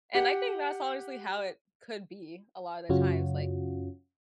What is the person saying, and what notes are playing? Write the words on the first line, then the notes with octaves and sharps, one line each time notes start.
and I think that's honestly how it could be a lotta the times, like,
G4 F#5
F#2 C#3 C#4 F4 F#4